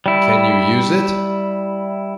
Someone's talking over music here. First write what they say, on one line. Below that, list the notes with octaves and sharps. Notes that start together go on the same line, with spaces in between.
Can you use it?
G3 E4